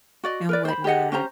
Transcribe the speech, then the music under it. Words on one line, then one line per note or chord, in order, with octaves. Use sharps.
and whatnot.
F#4 D5 D#5
A#4 B4 D5
C5 B5
G4 G#4 D#5 F#5
C#4 G4 C5 A#5